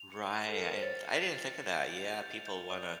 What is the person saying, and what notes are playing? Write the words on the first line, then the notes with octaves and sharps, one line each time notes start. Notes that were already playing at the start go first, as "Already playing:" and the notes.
Right, I and I didn't think of that, yeah, people wanna
Already playing: F7
C#7
F6
A4
A#4 C#7
B4
C5
C#5 A6
C#7
A6
C#7
G6
F7
G6
G6
D5 D#6